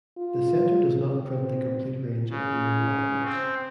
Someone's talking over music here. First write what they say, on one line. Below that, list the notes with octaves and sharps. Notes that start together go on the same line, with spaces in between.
The centre does not print the complete range of euro banknotes.
F4
C4
C#3
C4